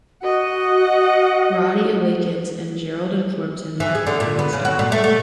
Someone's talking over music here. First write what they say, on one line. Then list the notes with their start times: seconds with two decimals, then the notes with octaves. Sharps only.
Roddy awakens and Gerald informs him that Katherine has died.
0.23 F#4 D#5 F#5
3.80 E3
3.95 G#4
4.07 D3
4.20 A#2
4.39 B3
4.53 C#3
4.65 F#4
4.79 A#2
4.92 A3
5.04 A3